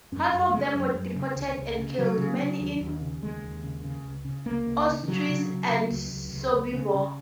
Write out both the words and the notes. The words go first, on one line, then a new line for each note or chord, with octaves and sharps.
Half of them were deported and killed, mainly in Auschwitz and Sobibor.
F#2 C#4
F#2
A#3
C#3 G#3
F#2
F#2
C#3
C#2
C#2
C#3
C#3 F#3
C#3
C#3
D#2
D#2
C#3
D#2 G#3
D#2
C#3
C#3
C#2
C#3
C#2 A#3
C#2
C#3
D#3
C#3 F#3
C#3
C#3
C#3
C#2
C#2
C#2
C#2
C#3
C#3